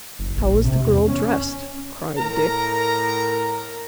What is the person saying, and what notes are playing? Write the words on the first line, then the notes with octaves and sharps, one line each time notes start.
"How was the girl dressed?" cried Dick.
F#1
A#1
C3
E2
C#4
A2 A#4 A#5